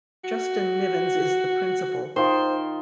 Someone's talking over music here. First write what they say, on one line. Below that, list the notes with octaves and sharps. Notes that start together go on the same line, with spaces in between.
Justin Nivens is the Principal.
F#4
D#3 D#4 F4 C5